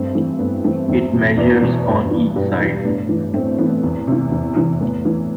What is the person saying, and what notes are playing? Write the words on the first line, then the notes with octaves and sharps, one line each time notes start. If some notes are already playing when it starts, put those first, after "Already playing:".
It measures on each side.
Already playing: G2 A3 C4
E3 A3
G2 B3
E3 A3 C4
E2 C4 E4
B2
E2 B4 D5
B2
G2
E3
G2 G4 B4
E3
A2 B3 D4
E3
A2 A3 C4
E3 B3
E2
C3 E3
E2
C3 E3
A2 B3
E3